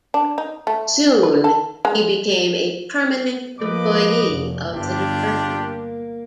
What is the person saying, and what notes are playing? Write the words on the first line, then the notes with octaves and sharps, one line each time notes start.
Soon, he became a permanent employee of the department.
D4
D#4
A3
B4
A4
G#3
F3 A#3 B4 D#5 D6
F1
G1 D4 F4 G4
A#3